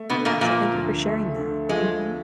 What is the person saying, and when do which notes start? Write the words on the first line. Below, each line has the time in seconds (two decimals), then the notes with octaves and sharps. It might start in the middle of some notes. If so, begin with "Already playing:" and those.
Uh, so thank you for sharing that, mhm.
Already playing: A3
0.09 B2 D3 B3
0.25 A#2 A#3
0.41 A#2 F3 A#3
0.73 D2
1.05 A3
1.37 D3
1.69 F3 G#3